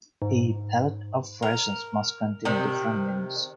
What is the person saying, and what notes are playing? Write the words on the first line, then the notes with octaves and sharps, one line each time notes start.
A pallet of rations must contain different menus.
G#2
A#4
C3 D#3